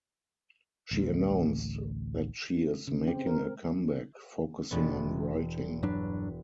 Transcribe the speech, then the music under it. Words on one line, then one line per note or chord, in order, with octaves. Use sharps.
She announced that she is making a comeback, focusing on writing.
A1 D2
C#3
C4
A#4
E1 B3
G2 F#3 D4 B4